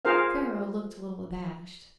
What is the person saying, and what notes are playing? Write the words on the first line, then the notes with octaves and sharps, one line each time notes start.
Pharaoh looked a little abashed.
F4 G#4 A#4 C5 F5